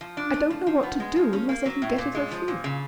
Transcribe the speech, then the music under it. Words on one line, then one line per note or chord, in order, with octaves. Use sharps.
"I don't know what to do, unless I can get at her feeling."
F3
D4
A3
F3
F3
B3
G#3
F3
C#4
A#3
F#3
A2
A#2
G#3
F3
A#2
C#3